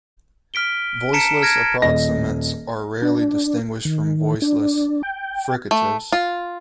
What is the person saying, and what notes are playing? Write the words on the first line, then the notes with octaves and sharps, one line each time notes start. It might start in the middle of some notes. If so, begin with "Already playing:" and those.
Voiceless approximants are rarely distinguished from voiceless fricatives.
F6 B6 D7 G7
A5 A#5 B6 C#7 D7 E7
F6 G#6 A#6 D7
D#1 D#5 A#6
D4
D#3
D4
G5
A3
F4